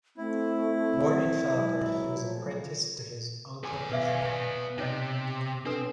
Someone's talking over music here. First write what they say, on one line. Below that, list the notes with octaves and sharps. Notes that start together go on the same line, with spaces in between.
Born in Falkirk, he was apprenticed to his uncle Ralph Walker.
A3 C4 E4
C3 E3 F#3 G#3
A#2 F3 A3
B3 G#4 G#5
B2 B4 E5 F5
C3 D#4 C#5 D#5
C4 D4 A4 B4